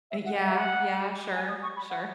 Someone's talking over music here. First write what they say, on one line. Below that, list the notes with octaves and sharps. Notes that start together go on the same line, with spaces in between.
Eh, yeah, yeah. Sure, sure.
E5
F#5
F#5
E5
F#5
G#5
D#6
C#6
B5
F#5